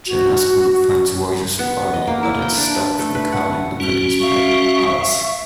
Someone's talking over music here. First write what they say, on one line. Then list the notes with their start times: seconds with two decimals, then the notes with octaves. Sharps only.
Jonascu finds Royce's body, but is stopped from calling the police by Pallas.
0.07 F#4
1.59 B3
1.94 D#5
2.07 A#3
2.23 E4
2.42 G5
2.57 D4
2.75 B4
2.99 A3
3.15 B4
3.32 F#5
3.80 G3 C#4 F#4
4.21 E5 F5 C#6